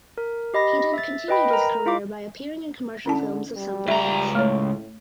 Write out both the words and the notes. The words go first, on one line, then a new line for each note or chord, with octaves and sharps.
He then continued his career by appearing in commercial films of some brands.
A#4
G4 D#5 B5 A#6
E5 A6
B4 D#5 G5 B5
A#4 A#5
E4 F4 F5 D6
D3 C#4 E4 A5
G3
C#2 E5 A#5
A2 A3 C#5